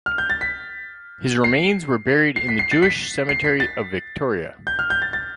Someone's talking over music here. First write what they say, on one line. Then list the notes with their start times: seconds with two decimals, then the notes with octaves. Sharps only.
His remains were buried in the Jewish Cemetery of Victoria.
0.06 F6
0.18 G6
0.30 A6
0.41 B6
1.44 C7
2.36 C7
2.49 B6
2.59 C7
2.71 A6
2.82 B6
3.29 C7
3.44 B6
3.60 A6
4.67 G6
4.79 F6
4.90 G6
5.02 A6
5.13 A6